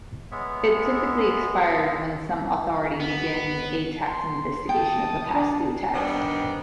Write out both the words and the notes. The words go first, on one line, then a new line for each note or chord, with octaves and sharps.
It typically expires when some authority begins a tax investigation of the past-due tax.
G#3 B3 C#5 E5
B3
C6
G5 A5 D#6
D4
D#3 G3 B3 C4 D4